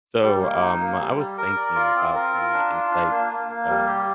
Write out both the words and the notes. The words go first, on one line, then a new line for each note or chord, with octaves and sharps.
So, um, I was thinking about the insights, uh,
G3
A#3
D#4
A#3
G3
G3
A#4
D5
F4
C4
A#4
F4
D4
F4
D4
A#3
A#3
A#3
G3
G4